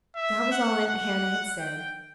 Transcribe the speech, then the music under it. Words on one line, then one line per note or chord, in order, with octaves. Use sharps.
That was all Aunt Hannah had said.
E5
F#5
F#5
G5